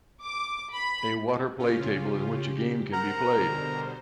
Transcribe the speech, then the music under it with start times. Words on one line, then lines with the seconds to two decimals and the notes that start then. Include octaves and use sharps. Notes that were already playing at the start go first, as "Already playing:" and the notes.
A water play table in which a game can be played.
0.23 D6
0.72 B5
1.59 C#3 C#4 F4 G4
2.93 A#4 C5 F#5 A#5
3.36 B2 D3 G3